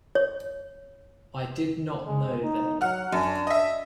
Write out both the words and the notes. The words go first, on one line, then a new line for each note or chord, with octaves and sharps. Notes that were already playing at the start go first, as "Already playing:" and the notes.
I did not know then.
C#5
G#3
D#4
F#3 F#5 F6
F#2 D4
D#5 E5